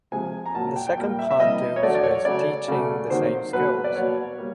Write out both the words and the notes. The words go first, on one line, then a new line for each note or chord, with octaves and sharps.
The second part deals with teaching the same skills.
C3 F3 G#3 G#5
A#5
A#2 F#3 A#3 A5
G5
G5
A#2 G3 A#3 G5
E5
E5
C3 E3 G3 A#3 D#5
C#5
D3 F#3 A3 D5
D5
C#5
C#3 F#3 A3 D5
C#3 F#3 A3
C3 D#3 F#3 A#3 C5
B2 F#3 A#3 B4
D5
B2 F#3 A#3 C#5
G3 A#3